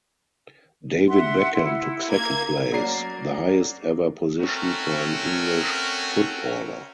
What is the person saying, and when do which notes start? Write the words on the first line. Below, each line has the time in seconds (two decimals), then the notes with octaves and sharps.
David Beckham took second place, the highest ever position for an English footballer.
1.08 E5 F#5 C6
1.52 E4
2.08 A#3 G#6
2.72 F#3 A#3 C#4 D5 A#5 C7
4.40 A3 C4 C#4 F#4 A#4 C#5